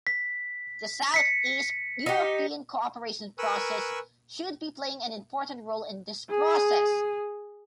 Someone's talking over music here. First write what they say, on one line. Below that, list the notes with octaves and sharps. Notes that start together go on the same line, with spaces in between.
The South-East European Cooperation Process should be playing an important role in this process.
B6
B6 C#7
D#4 G4
A#4 B4 G#5 C#6 E6 F#6
G#4